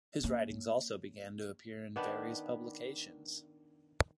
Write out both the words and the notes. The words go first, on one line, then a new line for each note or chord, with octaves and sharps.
His writings also began to appear in various publications.
A#3 C#4
D#3 B3 D4 B4